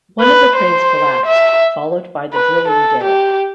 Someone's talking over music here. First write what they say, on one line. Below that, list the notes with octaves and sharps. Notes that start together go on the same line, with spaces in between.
One of the cranes collapsed, followed by the drilling derrick.
B4
C5
E5
B4
A4
G4